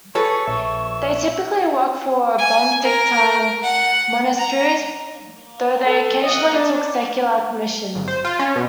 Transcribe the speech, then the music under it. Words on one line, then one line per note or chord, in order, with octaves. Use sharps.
They typically worked for Benedictine monasteries, though they occasionally took secular commissions.
G#4 A4 B4 C#5 C#6
A#1 E5
G#5
A#4
F#5
A#5
A4
D#5 F#5
D4
G#1
C5
F4
C#4
B2